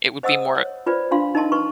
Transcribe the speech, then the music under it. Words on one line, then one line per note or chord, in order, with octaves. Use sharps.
It would be more
C5 D#5 F#5 D#6 E6
C#5
F4 B4 C5 D5
D4 F4 F5 C6
D#4 A#4 D#5 A5 C6
B4 C6 C#6